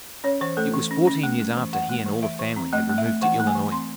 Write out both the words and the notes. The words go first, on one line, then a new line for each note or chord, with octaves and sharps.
It was fourteen years after he and all the family had removed to Illinois.
C#4 C#5
E3 C5
A3 A4
E3
C#4
C#4
A3
A3
E3
E3 F#5
A3
E3
E3 E5
E3
C4
A3 D#5
A3
E5
A3
E3 F#5
A3
G#5
E3
C4 C6